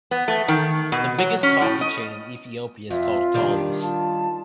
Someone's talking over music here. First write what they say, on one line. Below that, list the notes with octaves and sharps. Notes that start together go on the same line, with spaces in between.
The biggest coffee chain in Ethiopia is called Kaldi's.
B3
A3
D#3
B2
F#3
C#4
A2
D#5
F2 F4 E5
D#3 G3 D4 G4
F4 A5